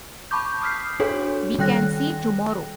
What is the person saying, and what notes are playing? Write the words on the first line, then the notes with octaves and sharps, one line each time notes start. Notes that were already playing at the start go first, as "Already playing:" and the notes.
We can see tomorrow.
A5 B5 C#6 D6 G6
D6 D#6 F6 G6 B6 C7
D4 F#4 G#4 A4 C#5
D#3 G3 G5 F#6 A#6